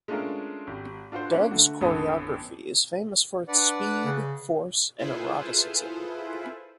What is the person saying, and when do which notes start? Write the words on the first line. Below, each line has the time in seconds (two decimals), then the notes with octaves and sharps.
Dove's choreography is famous for its speed, force and eroticism.
0.08 G#3 A3 C#4 D4 F4 A#4
0.67 G#1 G4
1.12 D4 F4 F#4 A4 C5
1.30 A#3 C#4 D4 F4 B4
1.51 D3 A3 F#4
1.81 A1 F2 D3 B3 A4 D#6
3.48 D4 B4 D5 F#5
4.04 C#3
4.99 E4 F4 G#4 A4 B4 C5